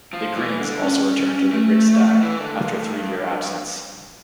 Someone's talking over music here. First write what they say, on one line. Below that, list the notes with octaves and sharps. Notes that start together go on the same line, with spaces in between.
The Greens also returned to the Riksdag after a three-year absence.
F3
E3
D3
C#4
A3
E3
D3
A#2
A2
G2